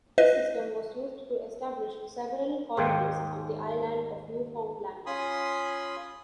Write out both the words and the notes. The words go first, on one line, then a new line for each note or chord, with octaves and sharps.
This system was used to establish several colonies on the island of Newfoundland.
B4 D#5
D#2 G#2 G#4 C5 F5 G5
C#4 F4 G#5 B5 C6 D#6